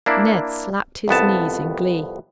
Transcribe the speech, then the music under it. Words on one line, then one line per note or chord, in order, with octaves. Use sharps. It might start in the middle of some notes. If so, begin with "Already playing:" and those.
Ned slapped his knees in glee.
A#3 D4 E4
C2 F2 B3 A5